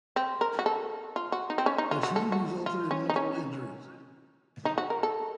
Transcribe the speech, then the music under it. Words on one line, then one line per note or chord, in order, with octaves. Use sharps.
The trend resulted in multiple injuries.
C4
A#4
F#4
A4
F4
F#4
D#4
C4
C#4
D#4
F4
F#4
A4
F#4
F4
C#4
D#4
C#4
D#4
F#4
A#4
A4